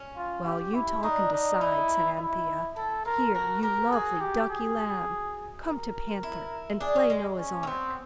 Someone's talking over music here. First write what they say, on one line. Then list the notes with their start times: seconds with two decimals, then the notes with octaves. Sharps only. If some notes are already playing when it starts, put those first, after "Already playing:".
'Well, you talk and decide,' said Anthea; 'here, you lovely ducky Lamb. Come to Panther and play Noah's Ark.'
Already playing: C#4
0.17 F4
0.45 G4
0.74 E4
1.03 D4 D#4
1.32 D#4
1.60 D#4 E4
2.18 E4
2.76 E4 A4
3.05 F4 A#4
3.34 F#4 A#4
3.62 G4 A#4
3.92 F#4 G#4
4.20 G4
4.50 G#4
5.65 A#4
6.23 E4
6.80 D4 G#4
6.96 C#4
7.10 G#3
7.39 C#4
7.63 A#3
7.67 B3 C4